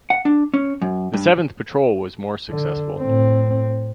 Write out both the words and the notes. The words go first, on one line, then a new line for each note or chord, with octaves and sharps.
The seventh patrol was more successful.
F#5
D4
C#4
F#2
G2
D3
A2 C4